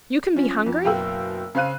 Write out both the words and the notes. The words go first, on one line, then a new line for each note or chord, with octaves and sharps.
"You can be hungry?"
F3 C#4
F2
F#1 B2 F5 G5 E6
C#3 C5 F5 F#6 D#7